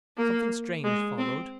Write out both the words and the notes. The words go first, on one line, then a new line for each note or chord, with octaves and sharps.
Something strange followed.
A#3
G#3
C4